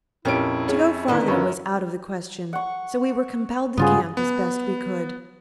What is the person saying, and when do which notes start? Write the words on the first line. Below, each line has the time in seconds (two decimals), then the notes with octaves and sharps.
To go farther was out of the question, so we were compelled to camp as best we could.
0.25 F2 A#2 C#4 E4 G4 A#4 D7
0.68 G#4 C#5
1.08 D3 D#3 B3 C4 E4
1.28 F#2 C#4 F5 B5 C#6
2.53 F#5 C#6
3.78 G2 C#3 B3 F4 G#4
4.17 B3